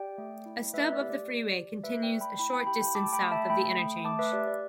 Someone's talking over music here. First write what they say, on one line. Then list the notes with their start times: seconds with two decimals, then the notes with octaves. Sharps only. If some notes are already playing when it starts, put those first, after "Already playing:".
A stub of the freeway continues a short distance south of the interchange.
Already playing: G4 D5 G5
0.18 A3
0.46 E4
0.74 A3 B4 E5
0.92 D5
1.01 G4
1.10 D5
1.28 G4 D5
1.56 G4
1.83 A3 B4 E5
2.03 D5 G5
2.11 A3
2.21 G5 B5
2.39 E4 G5 B5
2.53 G5 B5
2.67 G4 G5 B5
2.81 G5 B5
2.95 A3 A5 D6
3.13 G5 B5
3.22 A3
3.32 E5 A5
3.50 A3 G5 B5
3.77 A3
4.05 A3 A5 D6
4.19 B4 E5
4.33 G4 D5
4.47 D5